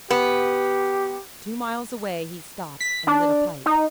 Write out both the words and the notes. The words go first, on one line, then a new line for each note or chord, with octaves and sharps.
Two miles away he stopped and lit a pipe.
B3 G4
B6
D4
D#4